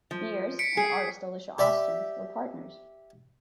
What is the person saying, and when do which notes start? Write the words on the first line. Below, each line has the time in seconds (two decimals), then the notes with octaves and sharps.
Beers and artist Alicia Austin were partners.
0.11 F3
0.59 B6 C#7 D7
0.77 G#4 C7 D7
1.58 G4 D5 E5